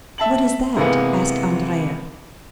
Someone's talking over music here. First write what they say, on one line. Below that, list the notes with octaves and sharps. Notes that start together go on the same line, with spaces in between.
"What is that?" asked Andrea.
E5 A5 F#7
C3 E3 G#3 A#3 B3